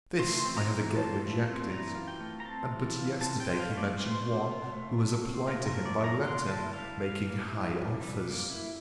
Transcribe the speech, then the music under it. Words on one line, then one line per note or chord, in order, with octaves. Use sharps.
This I have again rejected; and but yesterday he mentioned one who has applied to him by letter, making high offers.
A3 C6
C4
A#5
E3
F4 A5
A3
C4
E3 A#5
F4
G5
A3
A#5
C4 A5
E3
F4
C4 A5
G5
F4
F5
A3
D5
A3 C5
C4
F4
A3
A3
C4
F4 A#4
A#4
A3
D5
A3
A#5
A#3 C6
E4 A5
G3 F5
G3 F5
A#3
E4
G3
G3
A#3
E4